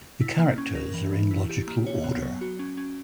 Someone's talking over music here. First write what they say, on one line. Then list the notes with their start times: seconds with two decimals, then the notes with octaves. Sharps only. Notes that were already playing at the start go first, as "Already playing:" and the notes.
The characters are in logical order.
0.21 E4
0.39 A#3
0.58 C#4
0.75 A#4
0.94 E3
1.12 E3
1.31 E4
1.49 G4
1.68 A#3
1.86 C#5
2.04 B3
2.22 F#3
2.41 F#4
2.59 C#4
2.77 C#4